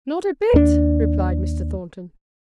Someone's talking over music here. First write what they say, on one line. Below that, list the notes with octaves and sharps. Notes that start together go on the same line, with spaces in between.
'Not a bit,' replied Mr. Thornton.
D#2 D4